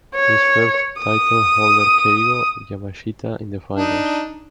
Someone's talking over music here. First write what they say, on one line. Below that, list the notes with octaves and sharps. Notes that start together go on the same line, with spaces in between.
He swept title holder Keigo Yamashita in the finals.
C#5
D#6
D4 D#4